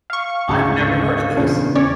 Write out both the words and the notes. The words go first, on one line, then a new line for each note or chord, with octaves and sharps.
I've never heard of this.
F5 C#6
D2 G#2 C#3
E2 A#2 C#3 D4
C#4 C#5 D5